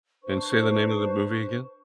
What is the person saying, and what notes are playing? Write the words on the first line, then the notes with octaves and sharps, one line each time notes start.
And say the name of the movie again.
D4 B4 C5 C#6